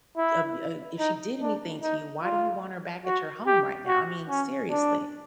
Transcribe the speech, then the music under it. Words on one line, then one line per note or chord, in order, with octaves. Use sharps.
ub uh if she did anything to you, why do you want her back at your home right now?" I mean, seriously.
E4
D#4
D4
D#4
F4
F#4
G4
F#4
C#4
D4